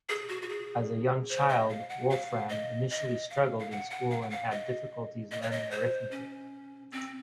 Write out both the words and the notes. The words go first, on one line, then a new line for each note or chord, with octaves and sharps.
As a young child, Wolfram initially struggled in school and had difficulties learning arithmetic.
G#4
F#4
F#4
G#4
C5
D#5
F5
F#5
F5
D#5
D#5
F5
F5
F#5
F#5
F5
F#5
F5
D#5
D#5
C#5
D#5
C5
C#4
C4